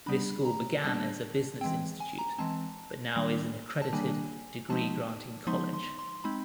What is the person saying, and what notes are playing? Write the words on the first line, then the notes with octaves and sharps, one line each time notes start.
This school began as a business institute, but now is an accredited degree-granting college.
G3 B3 D4 B5
A#5
G3 B3 D4 A5
E3 G#3 C4 G5
G#5
A#5
E3 G#3 C4 A5
D#3 G3 A#3 D4
A5
D#3 G3 A#3 D4 G#5
F3 G#3 B3 D#4 A5
F3 G#3 B3 D#4 C6
C6
C6
G#3 C4 D#4 B5